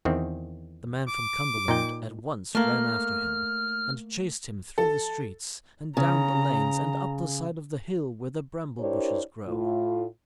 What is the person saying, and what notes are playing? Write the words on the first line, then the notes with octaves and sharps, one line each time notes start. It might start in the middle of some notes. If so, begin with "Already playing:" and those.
The man from Cumberland at once ran after him, and chased him through the streets and down the lanes and up the side of the hill where the bramble-bushes grow.
E2 D#3 C4
D6
A#2 D#4 G5
A3 A#3 F6
A4
C#3 A#5
D4 E4 G4 A#4 C5 C#5
A2 F4